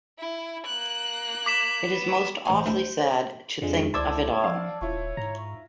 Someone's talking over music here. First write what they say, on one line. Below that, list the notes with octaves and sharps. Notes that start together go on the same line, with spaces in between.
It is most awfully sad to think of it all.
E4
A#3 F#6
D6 B6 E7
B3
A1 D#4 C5 G#5
D2 D#4 E4
F2 D3 F3 G#3
C#2 E4 C5 D5 A5 D6 E6 G#6
F3 D5 F5
D#1 E4 F4 C#5
G#2 A#5